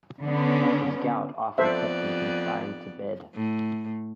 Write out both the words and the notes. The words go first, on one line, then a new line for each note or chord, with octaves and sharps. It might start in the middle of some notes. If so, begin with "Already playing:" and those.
His gout often kept him confined to bed.
D3 B3 C#4
F2 B3 A4 C5 D5 E5
A2